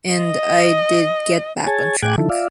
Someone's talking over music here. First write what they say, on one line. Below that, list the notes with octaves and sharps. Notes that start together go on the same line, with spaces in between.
And I did get back on track.
D#5
G#4 C#5 G#5 A5
A2 G#4 G5 D6 F#6 G#6
D3 D#3 F3 E4 A4
F4 D5 E5 F5